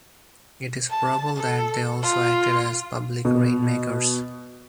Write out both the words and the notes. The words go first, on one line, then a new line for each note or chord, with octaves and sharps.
It is probable that they also acted as public rain-makers.
A5
A4
F4
B2